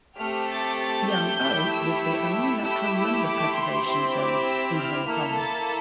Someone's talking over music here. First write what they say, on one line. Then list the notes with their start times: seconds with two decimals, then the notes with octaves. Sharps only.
Yam O was the only natural lumber preservation zone in Hong Kong.
0.18 A3 C4 G4 F6
0.49 A6
0.79 A6
1.10 G6
1.40 A3 E4 G4
1.71 E6
2.01 E6
2.62 A3 E4 G4 E6
3.24 D6
3.54 C6
3.85 C4 E4 G4
4.16 D6
4.46 E6
4.77 F6
5.07 A#3 E4 A4
5.38 A6